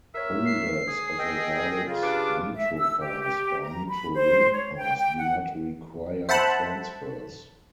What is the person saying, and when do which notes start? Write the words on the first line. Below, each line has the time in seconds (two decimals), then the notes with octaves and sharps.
Holders of a valid MetroPass or MetroLink Pass do not require transfers.
0.14 A#4 C#5 E5
0.46 C7
0.88 G#4 D#6
1.19 D#5 G5 E6
1.87 C#3 F4
2.03 D4 G4 B4 D6
2.55 E5
2.78 E6
3.00 G4
3.20 G4
3.63 A#5
3.88 B5
4.15 C5
4.52 C#5
4.77 G5
4.99 G5
5.17 F#5
6.29 C5 E5 F#5 A5 B5